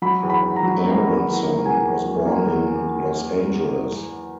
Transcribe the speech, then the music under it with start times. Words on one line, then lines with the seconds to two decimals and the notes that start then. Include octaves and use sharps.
Aaronson was born in Los Angeles.
0.02 F#3 B5
0.23 E2
0.30 B5
0.43 E2
0.56 A#5
0.63 F#3
0.84 A#3
1.04 F#3
1.24 E2
1.44 A#3
1.66 E2 G#5
1.85 E2
2.05 F#3
2.26 A#3
2.46 E2